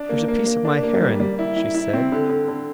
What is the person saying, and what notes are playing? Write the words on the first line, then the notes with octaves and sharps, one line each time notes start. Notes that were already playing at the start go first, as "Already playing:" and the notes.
"There's a piece of my hair in it," she said.
Already playing: D4
A#3
A#3
A#3
D4
A#3
G3
G3
E4
E4
E4
C4
D3
D3
D3